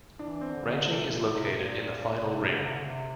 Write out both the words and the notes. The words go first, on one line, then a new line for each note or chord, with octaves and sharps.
Ranching is located in the final ring.
E3 D4
C4
D3
C3 A3
A#2
A3
C3
A#2
A#2
C3
D3
C3
D3
C3